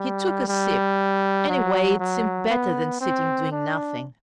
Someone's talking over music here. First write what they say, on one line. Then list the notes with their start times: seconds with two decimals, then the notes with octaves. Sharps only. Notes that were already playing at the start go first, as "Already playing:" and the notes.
He took a sip, anyway it seemed better than sitting doing nothing.
Already playing: G3
0.48 G3
1.49 F#3
1.99 F#3
2.50 B3
3.01 C4
3.52 D4